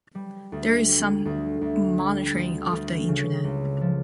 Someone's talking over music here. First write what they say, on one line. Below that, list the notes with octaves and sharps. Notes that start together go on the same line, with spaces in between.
There is some monitoring of the Internet.
G3
D2
G3
D2
D2
G3
D2
D2
C#3
C#2
F3